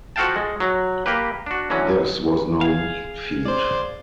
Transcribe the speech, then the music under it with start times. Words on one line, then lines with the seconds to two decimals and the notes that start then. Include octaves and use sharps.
This was no mean feat.
0.16 F3 F#4 A4 F5 G5 A5
0.36 G#3
0.60 F#3
1.06 A#3 G4 B4
1.46 D4 F#4
1.70 D3 E3 F#3 C#4
2.61 G#4 F5
3.45 C5 D5